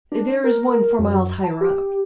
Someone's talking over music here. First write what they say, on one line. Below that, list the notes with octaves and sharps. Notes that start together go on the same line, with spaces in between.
There is one four miles higher up.
D4
A#4
F#2
A5
G4